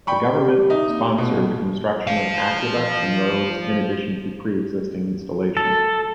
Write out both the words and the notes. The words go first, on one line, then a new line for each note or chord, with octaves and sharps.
The government sponsored the construction of aqueducts and roads in addition to preexisting installations.
D5 G5 B5 C#6
G4
D#4 E5
A#3
B2
C5 F5
A4